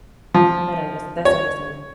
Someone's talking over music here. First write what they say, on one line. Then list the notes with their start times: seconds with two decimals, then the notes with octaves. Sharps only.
That under that's understand
0.34 F3
1.25 C#5